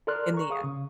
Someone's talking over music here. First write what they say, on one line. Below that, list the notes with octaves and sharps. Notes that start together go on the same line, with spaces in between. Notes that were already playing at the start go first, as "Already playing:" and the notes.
in the end.
A4 A#4 D5 C6 F6 F#6
A#5 C#6
G#4 F5 C#6 D#6
C#3